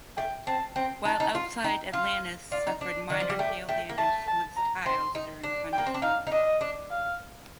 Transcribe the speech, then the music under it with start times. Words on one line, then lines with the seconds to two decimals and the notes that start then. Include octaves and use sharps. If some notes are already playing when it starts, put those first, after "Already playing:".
While outside, "Atlantis" suffered minor hail damage to its tiles during a thunderstorm.
0.17 A3 G5
0.47 C4 A5
0.76 C4 G5
1.05 D#4 A5
1.20 D#4
1.35 F4
1.64 D#4 G5
1.93 F4 F5
2.52 F4 D5
2.67 D#4
2.81 D4
3.10 D#3 D5
3.20 F3
3.30 G3
3.39 A3 G5
3.69 A3 G5
3.89 A#3
3.98 A3 A5
4.27 A5
4.56 A#5
4.86 C4 C6
5.15 D#4
5.43 D4
5.73 G5
5.78 A#3
5.86 C4
5.94 D4
6.02 D#4 F5
6.27 D#4
6.31 D4 D#5
6.61 D4
6.90 F5